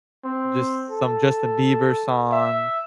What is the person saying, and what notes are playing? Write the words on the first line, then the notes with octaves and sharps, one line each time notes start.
just some Justin Bieber song,
C4
A4
E5